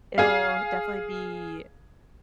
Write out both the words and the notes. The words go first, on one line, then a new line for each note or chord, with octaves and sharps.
it'll definitely be
G#4 F5